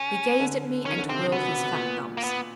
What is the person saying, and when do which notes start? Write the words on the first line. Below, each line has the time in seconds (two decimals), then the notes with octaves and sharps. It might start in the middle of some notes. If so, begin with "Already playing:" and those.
He gazed at me, and twirled his fat thumbs.
Already playing: C#3 C#4
0.40 D3
0.86 D#3 C#4
0.98 D3
1.09 C3 C4
1.20 C3
1.32 B2 B3
1.77 A#2
2.17 A#3
2.24 B3